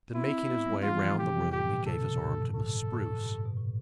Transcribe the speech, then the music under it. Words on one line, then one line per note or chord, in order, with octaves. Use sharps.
Then making his way round the room, he gave his arm to Miss Spruce.
C4 E4
B3
G3
E3 F4
F3
E3
C3 G4
A2 G4
B2
D3
C3 A4
B2
G2
A2
A2 A4
A2
A2
G2
A2
B2
A2